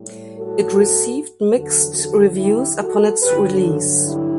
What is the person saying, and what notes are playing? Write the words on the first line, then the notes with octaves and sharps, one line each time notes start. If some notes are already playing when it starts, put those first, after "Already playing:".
It received mixed reviews upon its release.
Already playing: A2 G3
F#4 A4
E2 D3 F#3 F#4 A4
F#4 A4
E4 G4
F#4 A4
G2 D3 F#3 G4 B4
F#4 A4
E4 G4